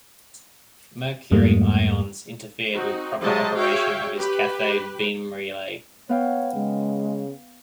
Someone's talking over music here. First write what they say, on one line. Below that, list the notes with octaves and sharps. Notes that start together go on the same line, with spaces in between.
Mercury ions interfered with proper operation of his cathode-beam relay.
F2 G#2 G3 A3 A#3
C4 D#4 F#4
F#3 G#3 G4 C5 D#5 A5
F#4 G#4 C#5 E5 F5 G5
G4 B4
B3 C#5 F5 G5
C#3 G#3